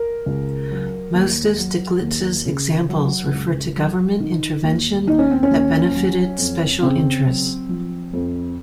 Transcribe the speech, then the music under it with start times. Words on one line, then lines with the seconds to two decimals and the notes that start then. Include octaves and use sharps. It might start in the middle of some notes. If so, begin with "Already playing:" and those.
Most of Stiglitz's examples refer to government intervention that benefited special interests.
Already playing: A#4
0.26 C#2
0.71 F#3
1.14 D#2
1.58 F#3
2.02 D#2
2.46 C#3
2.89 F#3
3.33 C#2
3.76 F#3
4.20 D#3
4.64 D#2
5.07 D#2 D#4
5.19 C#4
5.31 C4
5.43 C#4
5.51 D#2
5.95 F#3
6.38 F2
6.82 C#3 C4
7.26 F#3
7.69 F3
8.13 F2